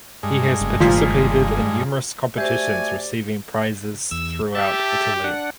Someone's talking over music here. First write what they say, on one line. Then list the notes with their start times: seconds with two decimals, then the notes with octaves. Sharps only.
He has participated in numerous competitions receiving prizes throughout Italy.
0.23 G2 G#3
0.61 F#1
0.80 F#1 A#2 D#3 F3 G3 A3
2.38 A3 F#4 G4 C5 D5 E5 G#5
4.11 E2 E6
4.55 G4 E5 A5
5.24 D4 F#5